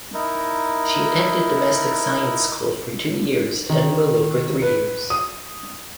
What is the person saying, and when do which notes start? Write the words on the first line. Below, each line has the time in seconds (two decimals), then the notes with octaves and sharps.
She attended domestic science school for two years and Mulo for three years.
0.14 D#4 E4 A#4
3.69 D#3
4.62 B4
5.10 D#6